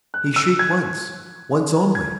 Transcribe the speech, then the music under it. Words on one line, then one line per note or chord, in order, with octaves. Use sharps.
He shrieked once--once only.
F#6
E6
G#6
G#6